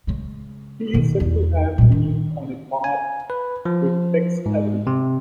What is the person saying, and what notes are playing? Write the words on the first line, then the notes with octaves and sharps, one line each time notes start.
He is said to have been on a par with Tex Avery.
C#3 G#3
B2 D#3
E2
A#2 G3
D#3
G#5
B4
F3
G#2
C3